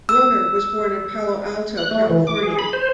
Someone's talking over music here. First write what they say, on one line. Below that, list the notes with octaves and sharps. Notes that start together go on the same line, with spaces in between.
Rohner was born in Palo Alto, California.
E6
F#6
A3
E3
D6
G#4
B5
C5